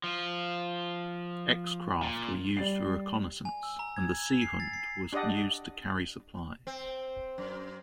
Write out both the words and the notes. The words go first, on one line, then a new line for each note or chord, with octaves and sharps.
X-craft were used for reconnaissance, and the "Seehund" was used to carry supplies.
F3 F4
A#2
G3 A6 C7
G#5
E6
A#5
G#6
F7
C7
A6
C7
D4 G4 D5 D#5 F#5
C4
F#2